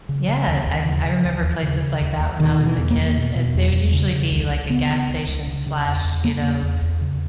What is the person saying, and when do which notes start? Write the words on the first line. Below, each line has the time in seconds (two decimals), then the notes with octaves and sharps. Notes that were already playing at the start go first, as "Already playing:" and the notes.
Yeah, I I remember places like that when I was a kid, uh, they would usually be like a gas station slash, you know,
0.09 C#3
0.28 C#3
0.48 D#2
0.67 D#2
0.85 C#3 E3
1.05 C#3
1.25 D#2
1.43 D#2
1.62 C#3
1.82 C#3
2.01 D#2
2.20 D#2
2.39 B2 D#3
2.59 B2
2.65 E3
2.78 E2
2.90 A#3
2.97 E2
3.17 B2
3.36 B2
3.55 E2
3.74 E2
3.93 C#3
4.13 C#3
4.32 C#2
4.51 C#2
4.70 C#3 B3
4.89 C#3
5.09 C#2
5.28 C#2
5.47 C#3
5.66 C#3
5.86 E2
6.05 E2
6.24 C#3 A#3
6.43 C#3
6.63 E2
6.82 E2
7.01 C#3